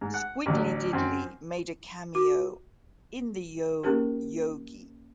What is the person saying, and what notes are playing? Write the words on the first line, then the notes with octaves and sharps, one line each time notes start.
Squiddly Diddly made a cameo in the Yo Yogi!
G#2
F#5
A1 D2 F#3
F#2 C4
F#4
A#3 C#4 D#4 G4 G#4 A#4